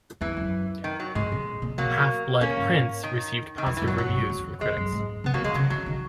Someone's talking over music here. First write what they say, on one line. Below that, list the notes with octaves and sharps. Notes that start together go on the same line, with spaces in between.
"Half-Blood Prince" received positive reviews from critics.
E2 E3
F#2
D#3
F#3
G#2 G#3
A#2
A#2
B2 F#3 A#3
A#2 A#3 C#4
G#2
D#3
D#3
E2 E3
E3
F#2
F#3
G#2 F#3
G#2
F#2
E2
E2 G#3
F#2
G#2
C#3 B3
D#3 F#3 A#3
D#3 G#3
C#3 F#3
E3 F#3
D#3